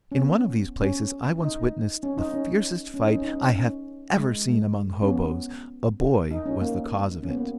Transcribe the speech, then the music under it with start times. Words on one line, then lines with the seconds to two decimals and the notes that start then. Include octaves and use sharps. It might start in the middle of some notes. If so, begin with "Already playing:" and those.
In one of these places I once witnessed the fiercest fight I have ever seen among hoboes; a boy was the cause of it.
0.12 C#4
0.19 B3
0.81 C#4
1.42 D#4
2.03 C#4
2.18 D#4
2.34 C#4
2.94 C#4
3.04 D#4
3.14 C#4
3.24 D#4
3.34 C#4
3.55 C#4
4.16 G#3
4.48 G#3
5.02 C#4
5.08 B3
6.31 D#4
6.46 C#4
6.61 A#3
7.23 C#4
7.29 B3
7.37 A#3